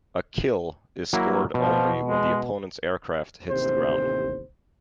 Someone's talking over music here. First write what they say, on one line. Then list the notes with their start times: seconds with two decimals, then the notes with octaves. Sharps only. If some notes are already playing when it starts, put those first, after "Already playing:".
A "kill" is scored only when the opponents aircraft hits the ground.
1.13 F#3 A#3 E4
1.54 B2 F3
2.03 G#3
3.50 A1 D#2 C3 C5